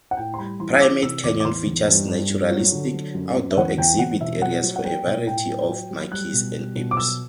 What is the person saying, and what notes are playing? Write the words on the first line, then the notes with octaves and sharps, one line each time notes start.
'Primate Canyon features naturalistic, outdoor exhibit areas for a variety of monkeys and apes.
F#5
A2 G5
C6
G3 B5
E3 C6
E6
E3 D6
C3 E6
E2 D6
D6
E2 C6
E2
G2
G2
G2
F#3
D3
F#3
F#2
F#2
E5
E2 F#5
E2 G5
E2 F#5
B2 E5
F#3 F#5
F#3
F#5
F#3 G5
B2
A2 G5
F#3
F#3
F#3
G3 F#6
B2
G3
B2
D6
F#3 E6